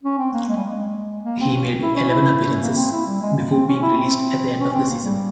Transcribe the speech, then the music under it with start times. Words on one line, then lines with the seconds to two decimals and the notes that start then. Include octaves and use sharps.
He made eleven appearances before being released at the end of the season.
0.03 C#4
0.18 C4
0.33 A#3
0.49 G#3
0.57 G3
0.64 G#3
1.24 A#3
1.40 C4
1.54 C#4
1.82 E4
1.95 C#4
2.09 E4
2.46 C#4
2.61 A#3
2.76 C4
2.92 E4
3.06 G3
3.22 G#3
3.37 A#3
3.51 C4
3.68 C#4
3.82 E4
3.98 C4
4.58 C#4
4.74 C4
4.89 A#3
5.04 G3